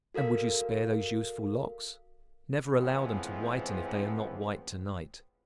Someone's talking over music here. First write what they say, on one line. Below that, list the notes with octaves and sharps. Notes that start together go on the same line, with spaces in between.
And would you spare those youthful locks? Never allow them to whiten if they are not white to-night.
F#4 A4 A#4 F5 B6
A2 E3 F3 G#3 B3 C4